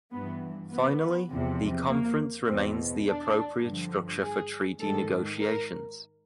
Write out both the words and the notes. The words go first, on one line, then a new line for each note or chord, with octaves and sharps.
Finally, the Conference remains the appropriate structure for treaty negotiations.
G2 E3 B3
B3
E2 C3 F3
A#3
E2 B2 C4
D4
G2 D3 F3
G#4
G#2 D#3 A4
A#4